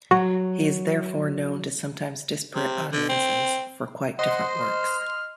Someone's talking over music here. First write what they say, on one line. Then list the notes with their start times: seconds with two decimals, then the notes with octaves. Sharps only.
He is therefore known to sometimes disparate audiences for quite different works.
0.11 F#3 F#4
2.55 C3
2.92 D3
3.09 C4
4.19 C5 D#5 F#5 C6
4.61 F6